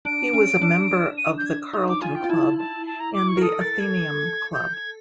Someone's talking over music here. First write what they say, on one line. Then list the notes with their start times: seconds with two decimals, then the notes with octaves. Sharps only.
He was a member of the Carlton Club and the Athenaeum Club.
0.05 D4 D7
0.33 C#4
0.62 D4
1.17 D#7
1.38 G6
1.46 G#6
1.73 D#4 D#6
1.88 D6
2.01 F4 G#5
2.15 G5
2.24 F4
2.29 E4 A5
2.57 A5
2.86 A5
2.99 A#5
3.13 D6
3.28 C#6
3.37 A#4
3.41 A4 D#6
3.60 A6
3.79 G#6
4.53 G6
4.73 G#6